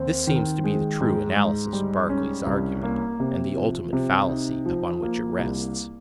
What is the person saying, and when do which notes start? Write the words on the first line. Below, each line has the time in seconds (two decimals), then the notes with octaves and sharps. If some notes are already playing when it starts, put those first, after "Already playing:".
This seems to be the true analysis of Berkeley's argument, and the ultimate fallacy upon which it rests.
Already playing: D#2 C4
0.27 D#3
0.64 G#3
1.01 G#2
1.37 G#2
1.73 G3
2.10 C#4
2.46 C2
2.83 A#3
3.20 C3
3.56 F3
3.93 C3
4.29 D#4
4.65 F3
5.03 A#3
5.39 C2